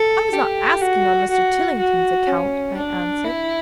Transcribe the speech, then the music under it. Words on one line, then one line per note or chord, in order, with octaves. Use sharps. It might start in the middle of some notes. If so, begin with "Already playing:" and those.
'I was not asking on Mr. Tillington's account,' I answered.
Already playing: A4
G4
F#4
F#4
F#4
C#4
D4
E4